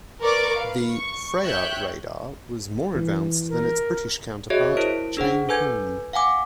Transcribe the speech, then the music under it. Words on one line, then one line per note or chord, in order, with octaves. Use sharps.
The "Freya" radar was more advanced than its British counterpart, Chain Home.
A#4 B4 D5 C#6 D6
B4 F5
C#6
C#5 E5 G5 F#6 G6
E3
A#4
F#4 G#4 C#5 D#5 E5
E4 A#4 C5 D7
D4 G#4 C5 F#5
A4 B4 G#5 G6 G#6
F5 F#5 G#5 D6